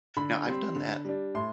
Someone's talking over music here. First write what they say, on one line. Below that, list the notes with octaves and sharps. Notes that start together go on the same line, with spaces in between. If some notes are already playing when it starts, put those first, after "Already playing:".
now I've done that
D3 B5
G3 C4
D3
G3 D4
A2 C6